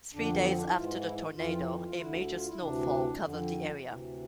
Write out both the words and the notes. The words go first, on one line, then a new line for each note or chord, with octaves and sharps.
Three days after the tornado, a major snowfall covered the area.
F2 D3 D4
B3
C4
D4
E4
G#2 E3 F4
E4
F2 E3 F4
F4
D2 D3 E4
F4
E4
D2 C3 E3 D4
F2 D3
D2 C3 E3